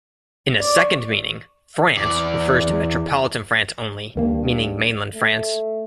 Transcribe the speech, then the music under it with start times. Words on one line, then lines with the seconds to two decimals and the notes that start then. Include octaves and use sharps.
In a second meaning, "France" refers to metropolitan France only, meaning mainland France.
0.60 D5
0.76 C#6
1.97 E2 D5
4.16 D2 G2 D#3 A#3
5.14 A3